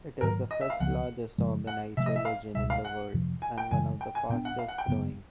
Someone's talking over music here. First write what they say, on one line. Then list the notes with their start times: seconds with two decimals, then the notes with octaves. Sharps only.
It is the fifth-largest organized religion in the world and one of the fastest-growing.
0.21 G#2 D#3 F#3 A#4
0.51 D#5
0.61 E5
0.70 F5
0.80 C#2 C#3 F3 A#3 F#5
1.38 F#2 C#3 F3 G#3
1.67 F#5
1.97 C3 F3 A3 E5
2.06 D#5
2.16 E5
2.25 F5
2.55 C#2 B2 G3 E5
2.70 F5
2.85 F#5
3.14 F2 C3 F3
3.42 G#5
3.58 G5
3.71 F#2 C#3 E3 G#3 G#5
4.01 G5
4.15 G#5
4.29 A#2 F#3 B3 D4 G5
4.45 F#5
4.59 F5
4.68 F#5
4.78 G5
4.88 F#2 C#3 F#3 B3